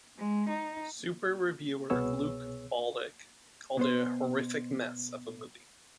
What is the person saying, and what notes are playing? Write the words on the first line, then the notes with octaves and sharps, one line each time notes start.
Super Reviewer Luke Baldock called it a horrific mess of a movie.
G#3
D#4
C2 B2 B3 G#4 C#5 E6
B2 B3 C5